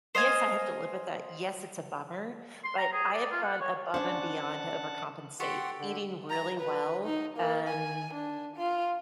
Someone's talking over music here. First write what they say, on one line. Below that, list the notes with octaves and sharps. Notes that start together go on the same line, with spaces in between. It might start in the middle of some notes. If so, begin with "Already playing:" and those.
yes, I have to live with that, yes, it's a bummer, but I have gone above and beyond to overcompensate. Eating really well, um,
C5 D#5 F5 G#5
C6
A#5
G#4
D5
F4
F#5
C#5
C#4 D4 C5 F#5 A5
G4 A4 F#5 C6 C#6
D3
A#5
B4
D#4
A#3
G#5
D4
F4